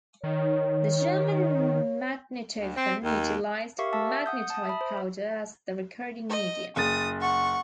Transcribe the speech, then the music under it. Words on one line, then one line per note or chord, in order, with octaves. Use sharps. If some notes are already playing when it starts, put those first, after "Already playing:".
The German magnetophon utilized magnetite powder as the recording medium.
D#3 C#5
D2
C4
D#2
G4 A#4 E5 F5 C#6
E5 A5 E6
F#5 D#6 G6
A5 D#6
E5 B5
C5
D#5
F#1 D#6 A6
F#5 C#6